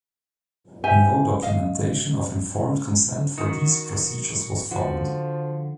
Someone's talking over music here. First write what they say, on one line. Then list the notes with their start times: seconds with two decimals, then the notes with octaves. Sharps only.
No documentation of informed consent for these procedures was found.
0.84 G4 C5 E5 G#5
1.42 D#5 F5
3.38 D#3 F#4
4.71 D3 F3 F#4